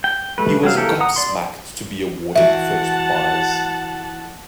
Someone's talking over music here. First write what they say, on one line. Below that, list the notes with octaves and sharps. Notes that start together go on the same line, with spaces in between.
He was gobsmacked to be awarded the first prize.
G5
G3 A3 B4
F#3 G3 C4 F5
E3 A#3 G4 A4 A#4
F#5 A#5 D#6
D5 C6
E3 F#4 E5 F#5 A5